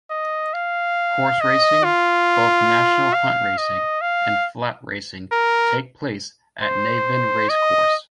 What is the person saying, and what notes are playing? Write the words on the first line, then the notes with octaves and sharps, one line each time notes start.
Horse Racing, both National Hunt racing and Flat racing, take place at Navan Racecourse.
D#5
F5
D#5
F4
F5
D#5
F5
A#4
C5
D#5